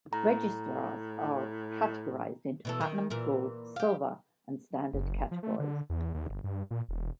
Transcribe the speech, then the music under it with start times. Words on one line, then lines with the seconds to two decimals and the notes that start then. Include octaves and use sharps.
Registrars are categorized into Platinum, Gold, Silver and Standard categories.
0.13 A2 A#5
2.65 B2 E3 A4
2.81 D#3
3.10 A#2 E3 A#4
3.76 G4 F5
4.93 F#1
5.31 F3
5.43 A3
5.59 D3
5.89 E2
6.14 D#2
6.30 G1
6.44 G2
6.71 A#2
6.89 E1